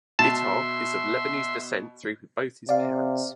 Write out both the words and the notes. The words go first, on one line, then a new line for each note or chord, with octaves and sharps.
Bitar is of Lebanese descent through both his parents.
B2 E5 A5 C6
C3 D5 F5